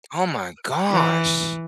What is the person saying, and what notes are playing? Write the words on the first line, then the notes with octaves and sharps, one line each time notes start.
Oh my gosh.
E3